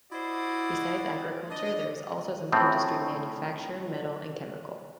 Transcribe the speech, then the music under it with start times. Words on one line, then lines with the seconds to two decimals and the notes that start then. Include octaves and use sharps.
Besides agriculture there is also some industry manufacture, metal and chemical.
0.12 E4 F#4 C5 D5 D#5
1.50 D4 D#5
2.52 A2 C#3 F3 F#3 A3 C4